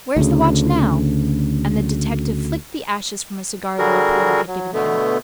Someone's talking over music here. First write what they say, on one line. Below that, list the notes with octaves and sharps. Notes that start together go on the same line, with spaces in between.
"Where's the watch now?" and the detective flicked the ashes from a cigar the reporter had given him.
D2 C#3
D3 G3 F#4 G#4 A#4
F#3
B2 D3 A3 B3